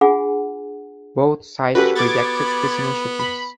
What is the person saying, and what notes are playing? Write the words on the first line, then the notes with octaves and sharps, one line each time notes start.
Both sides rejected his initiatives.
D4 F4 G#4 F#5 G#5
F#2 F#4 G4 A4 B4
B3 B5 D6 G#6 A6
B5